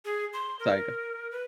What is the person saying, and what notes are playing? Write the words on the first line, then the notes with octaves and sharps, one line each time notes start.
Sorry, go ah
G#4
C6
A#4
B4